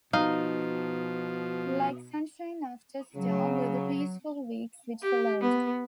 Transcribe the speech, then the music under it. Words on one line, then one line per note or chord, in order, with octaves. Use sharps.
Like sunshine after storm were the peaceful weeks which followed.
B2 F3 D#4 F5
C#3 F#3
G4
B3